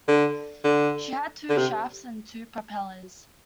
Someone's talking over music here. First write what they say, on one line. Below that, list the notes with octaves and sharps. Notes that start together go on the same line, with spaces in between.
She had two shafts and two propellers.
D3
D3
D3
C3